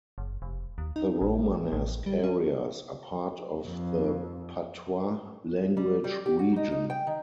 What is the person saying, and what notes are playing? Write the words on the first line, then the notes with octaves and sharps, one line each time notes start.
The Romanesque areas are part of the patois language region.
F#1
F1
D#2
D#4
A1
A1
G3
C#4
F2
G3
G3
G4
F#4
D#4
D#4
G5
D#3